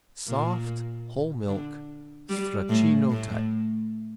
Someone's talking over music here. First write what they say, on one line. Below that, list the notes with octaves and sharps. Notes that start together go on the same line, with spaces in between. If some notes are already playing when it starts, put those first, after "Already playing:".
Soft, whole-milk, Stracchino type.
A#2
D3
G3
A2
A2